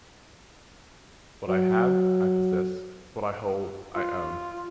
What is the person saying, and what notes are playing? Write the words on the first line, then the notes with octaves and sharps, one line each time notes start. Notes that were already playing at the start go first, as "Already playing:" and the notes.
What I have, I possess; what I hold, I own.
F#3
F4